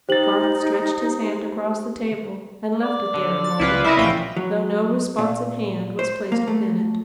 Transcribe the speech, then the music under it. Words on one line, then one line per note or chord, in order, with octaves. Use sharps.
Garth stretched his hand across the table, and left it there a moment; though no responsive hand was placed within it.
D#4 G4 C5 A6 F#7
D5
D3
A6
C#2 E4 F4 B4
G#3 E4 A#4 C5 D#5 E5
A#1 C#4 F4 G5
F#3
A#2
C5
A#3
A3